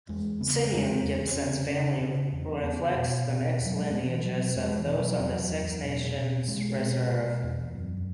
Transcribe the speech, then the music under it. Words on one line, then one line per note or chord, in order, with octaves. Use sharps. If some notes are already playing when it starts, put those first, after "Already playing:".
Simeon Gibson’s family reflects the mixed lineages of those on the Six Nations Reserve.
E2 G#3
C#3 B3
E2 G#3
E2
C#3 C#4
C#3
C#3
E2
C#4
E2 B3
B2
B2
E2
F#3
G#3
B2 B3
E3
B2 F#3
F#3
E2 G#3
E3
B2
F#3
E2 F#3
E2
B2
B2
B2 G#3
B2
B2
E2
F#2